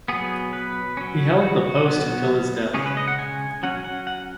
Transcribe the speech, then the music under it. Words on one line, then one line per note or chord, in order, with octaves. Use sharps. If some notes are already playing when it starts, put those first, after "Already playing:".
He held the post until his death.
F#3 B3 G#4
B4
F#3 C#4
F#4
F#3 B3
C#3 G#3 C#4 G#4
B4
D#5
F#5
G#5
F#3 C#4 F#5
F#5
F#5